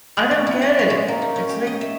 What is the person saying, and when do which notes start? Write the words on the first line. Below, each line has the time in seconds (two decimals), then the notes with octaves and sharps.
I don't get it, it's like
0.17 G#4
0.31 C#4
0.47 E4
0.62 F#5
0.79 C#5
0.90 G#3
1.08 A#3
1.22 D#4
1.36 C#4
1.49 G4
1.67 D#5
1.81 E5